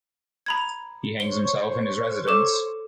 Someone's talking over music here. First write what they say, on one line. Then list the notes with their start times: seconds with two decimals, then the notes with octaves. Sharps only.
He hangs himself in his residence.
0.46 A#5 B5 G#6
1.20 C5 C#5 C#6 G7
2.27 A4 D6 E7